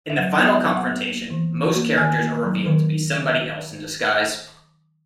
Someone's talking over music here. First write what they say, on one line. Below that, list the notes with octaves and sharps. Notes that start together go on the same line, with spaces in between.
In the final confrontation, most characters are revealed to be somebody else in disguise.
E5
F#3 F#5
B3
E5
F#3
F#5
B3
A#3
E3
E3
A#3
D#3 G#5
A#3
F#3
D#3